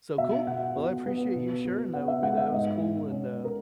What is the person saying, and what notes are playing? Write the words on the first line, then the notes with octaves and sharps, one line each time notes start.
So, cool. Well, I appreciate you sharing that with me that it was cool and, uh,
B2 E5
B2 F#5
B2
B3
B2
B2
B3 F#5
E5
G#3 F#5
E5
G#2 D#5
G#2
C#4
A#4